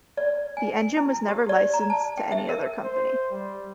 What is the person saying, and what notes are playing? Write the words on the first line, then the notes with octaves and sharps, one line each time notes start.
The engine was never licensed to any other company.
D5
G#5
E4
G4
D5
A#5
A5
G5
E5
A#4
C5
G3